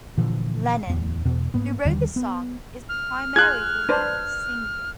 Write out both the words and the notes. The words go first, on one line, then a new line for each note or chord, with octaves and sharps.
Lennon, who wrote the song, is the primary lead singer.
A#2 D3 E3 F3
D1 E2
E2 B2
G#2 A#3 B3
D#2 D3 D#3 G3
B3
F6
F4 G#4 F#6 G#6
D4 B4 C5